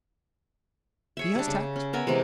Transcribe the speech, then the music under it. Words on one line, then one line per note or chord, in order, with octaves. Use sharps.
He has tact.
G#4 C#5 E5
G3 D4
C#3
C#4
B3 A#4 E5 G#5
C3 E3 G#3